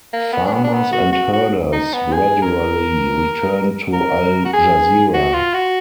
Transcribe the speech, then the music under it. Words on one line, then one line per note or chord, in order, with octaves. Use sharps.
Farmers and herders gradually returned to Al Jazirah.
A#3
B3
D4
B3
D4
B3
F#4
F#4
F#4
D#4
B3
G#4
A#4
A#4
F#4
G#4
F#4
F4
F#4